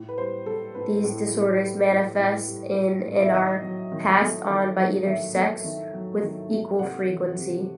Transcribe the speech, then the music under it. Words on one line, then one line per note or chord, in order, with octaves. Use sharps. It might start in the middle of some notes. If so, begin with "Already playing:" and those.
These disorders manifest in and are passed on by either sex with equal frequency.
Already playing: A2
B4
G3 C5
G3 A4
A2 B4
A2
G3
G3
A2
A2
G3
G3
A2
E5
D#3 D#5
F#3
D#3
A3
D#3
F#3
D#3 E5
A3
D#3
F#3
D#3
A3
C3 F#5
E3
C3